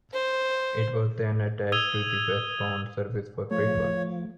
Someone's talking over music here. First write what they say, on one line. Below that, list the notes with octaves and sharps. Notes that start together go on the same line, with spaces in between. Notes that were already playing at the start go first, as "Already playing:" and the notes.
It was then attached to the westbound service for breakfast.
C5
D#6 E6 G#6 D#7 F7 G7
F3 A3 C#5